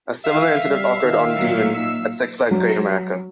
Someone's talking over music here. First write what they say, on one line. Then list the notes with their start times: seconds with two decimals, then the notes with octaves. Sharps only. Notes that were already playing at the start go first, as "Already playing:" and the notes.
A similar incident occurred on Demon at Six Flags Great America.
0.24 E5 F5 C7
0.67 G3
1.02 D#3
1.36 A#2 F#3
1.74 D#4 E6
2.51 F#3